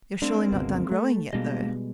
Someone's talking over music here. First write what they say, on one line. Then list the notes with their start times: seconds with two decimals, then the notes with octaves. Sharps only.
You're surely not done growing yet, though!
0.22 G#3 A#3 C4 D4
0.52 G1 C#2 B2
0.92 A3
1.33 B2 G3 G#3 A#3 D4 D#5